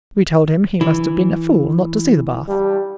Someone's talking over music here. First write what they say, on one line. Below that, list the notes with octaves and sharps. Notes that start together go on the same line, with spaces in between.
We told him he must have been a fool not to see the bath.
E3
G3